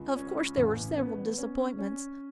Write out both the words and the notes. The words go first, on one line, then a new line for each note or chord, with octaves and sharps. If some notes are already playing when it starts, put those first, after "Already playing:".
Of course there were several disappointments.
Already playing: C#2
C#4
A1
B3
C#4
C#4